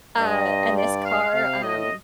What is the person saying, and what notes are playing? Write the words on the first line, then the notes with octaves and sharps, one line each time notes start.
Uh, and this car, um,
G2 D#5
D5
F5
C3 F5
A2 D#5